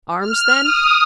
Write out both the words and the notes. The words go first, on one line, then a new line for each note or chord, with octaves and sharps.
"Arms, then?"
F6
D#6